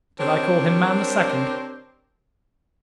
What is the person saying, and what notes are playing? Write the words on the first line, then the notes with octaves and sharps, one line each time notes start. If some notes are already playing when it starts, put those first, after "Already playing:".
Did I call him man the second?
C4 D4 G4 A#4 C5 C#5